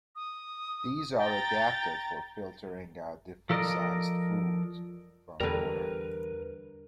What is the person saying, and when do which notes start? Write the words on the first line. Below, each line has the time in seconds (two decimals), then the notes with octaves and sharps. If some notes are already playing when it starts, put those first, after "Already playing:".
These are adapted for filtering out different sized food from water.
0.15 D#6
1.18 G5 A#5 A6
3.50 F3 A4 A#4 D5 D#5
5.41 E2 D3 G3 A#4 B4